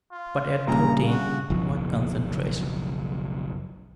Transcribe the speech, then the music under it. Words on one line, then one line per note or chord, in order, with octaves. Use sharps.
But at thirteen--what concentration!
F4
A#1 G2 A#2 C#3 A#5
F#4
F#1 B1 F3